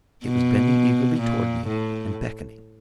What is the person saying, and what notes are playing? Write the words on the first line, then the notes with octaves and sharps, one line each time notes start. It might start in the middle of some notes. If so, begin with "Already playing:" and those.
It was bending eagerly towards me, and beckoning.
B2
A#2
A2